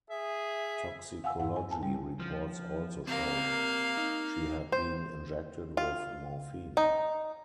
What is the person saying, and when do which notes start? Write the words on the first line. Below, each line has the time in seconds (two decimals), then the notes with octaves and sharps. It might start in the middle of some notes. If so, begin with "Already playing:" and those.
Toxicology reports also showed she had been injected with morphine.
0.10 G#4 E5
1.24 F5 F#5 G#5 E6
1.40 G2 F5 F#5
1.56 G#5
1.71 G#5 A5
1.83 G3
2.19 F3 F4
3.07 A#3 C4 G4 A#4 F5
3.97 D#4
4.72 C5
5.77 F4
6.77 D#4